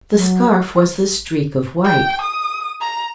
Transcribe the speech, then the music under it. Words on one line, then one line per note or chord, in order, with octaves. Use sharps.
The scarf was the streak of white.
F#3
G5
D#6
A#5